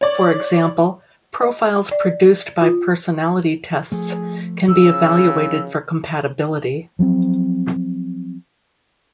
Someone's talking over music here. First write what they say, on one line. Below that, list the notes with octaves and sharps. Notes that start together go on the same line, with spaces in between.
For example, profiles produced by personality tests can be evaluated for compatibility.
C#5 D5
D#5
D5
F4
F3 A3 G#4
C#3 F3 E6
F3 F#3 A3 C4